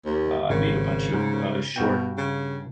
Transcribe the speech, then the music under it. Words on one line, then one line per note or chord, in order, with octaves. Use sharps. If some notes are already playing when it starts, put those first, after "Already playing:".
uh, made a bunch of, uh, short,
D#2
G#1 C#3
G#2
G2 B2 F#4 G5
C#3